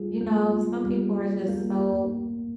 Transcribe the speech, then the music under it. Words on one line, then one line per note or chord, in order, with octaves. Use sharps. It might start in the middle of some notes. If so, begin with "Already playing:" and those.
You know, some people are just so
Already playing: G3 F4 G#4
A#3
F4
G3
G#4
A#3
A#3